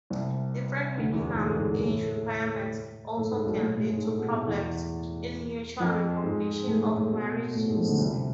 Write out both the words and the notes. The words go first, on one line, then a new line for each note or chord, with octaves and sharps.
Different minimum age requirements also can lead to problems in mutual recognition of marriages.
C2 C3
D2 D3
E2 E3
G#2 G#3
A2 A3
G#2 G#3
G#2 G#3
A2 A3
A2 A3
G#2 G#3
B1 B2
A2
A2
G#2 G#3
A2 A3
B2 B3
A2 A3
E2 E3
F2 F3
G#2 G#3
A2 A3
A2 A3
A2 A3
B2 B3
A2 A3
G#2 G#3
F2 F3
D2 D3
C2 C3